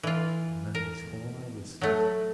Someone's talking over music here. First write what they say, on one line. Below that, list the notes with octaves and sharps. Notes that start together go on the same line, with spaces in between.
And that is all I elicited.
E3 F4
A#4
F#3 A3